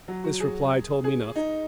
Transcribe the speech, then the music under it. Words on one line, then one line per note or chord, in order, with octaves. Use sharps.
This reply told me nothing.
F#3
F#4
G#4
G#4
D#4